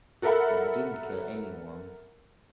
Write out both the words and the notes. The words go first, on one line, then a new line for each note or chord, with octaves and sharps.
But I didn’t kill anyone.
F#4 A4 A#4 E5 F#5 B5